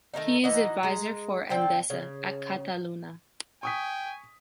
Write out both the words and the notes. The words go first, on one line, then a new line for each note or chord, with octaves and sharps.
He is advisor for Endesa at Cataluña.
D#3 A3 A#3 D#4
E3 D#4 F#4 D#5
G#3 A#5
D3 C4 G5 A5
C#3
G5 G#5 C#6 D#6 B6